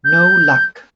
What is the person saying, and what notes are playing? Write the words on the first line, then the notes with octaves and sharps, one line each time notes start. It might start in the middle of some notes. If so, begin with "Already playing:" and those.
No luck!
G6